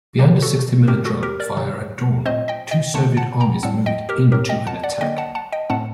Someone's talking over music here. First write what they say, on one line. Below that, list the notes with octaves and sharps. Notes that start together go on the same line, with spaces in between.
Behind a sixty-minute drum fire at dawn, two Soviet armies moved into an attack.
D#3 G3 A#3 G4
F#4 A4
D3 A3 C4 G4 A#4
F#4 A4
G4 A#4
A#4 D5
C3 D#3 F#3
A#2 F#3 A3 C4 C5 D#5
D#5 G5
D#5 G5
D3 A3 C4 F#5 A5
F#5 A5
G5 A#5
A2 G3 C4 F#5 A5
D#5 G5
G4 A#4
A2 F#3 C4 G4 A#4
D#5 G5
F#5 A5
D5 F#5
D3 F#3 A#3 D#5 G5
F#5 A5
F#5 A5
D#5 G5
A2 A3 C4 F#5 A5